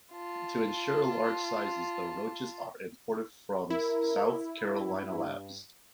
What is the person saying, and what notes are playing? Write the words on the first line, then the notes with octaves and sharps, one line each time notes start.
To insure large sizes the roaches are imported from South Carolina labs.
F4 A5
E4 A#4
G2